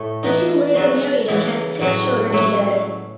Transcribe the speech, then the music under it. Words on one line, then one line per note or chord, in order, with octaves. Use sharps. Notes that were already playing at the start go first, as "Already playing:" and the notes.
The two later married and had six children together.
Already playing: A2 A3
E3 B3 D#4
C#3 F#3 B3 D#4 F#4
C#3 E3 B3 E4
A2 F#3 C#4
F#3 A3 E4